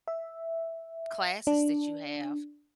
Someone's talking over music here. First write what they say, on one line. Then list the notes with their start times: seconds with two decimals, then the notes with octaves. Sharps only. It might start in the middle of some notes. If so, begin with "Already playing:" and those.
classes that you have."
0.08 E5
1.47 D4